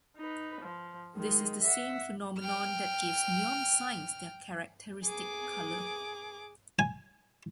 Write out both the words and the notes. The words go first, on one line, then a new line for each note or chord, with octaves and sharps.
This is the same phenomenon that gives neon signs their characteristic color.
D#4 B4
F3
D#3 G#3
E5 F#5
G5 F6
G#4 D6
G#5